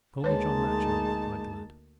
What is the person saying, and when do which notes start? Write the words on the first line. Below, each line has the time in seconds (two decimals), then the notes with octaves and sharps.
"Call me John Matcham," replied the lad.
0.24 D2 G#3 A#3 D#4 B4 C#5 A5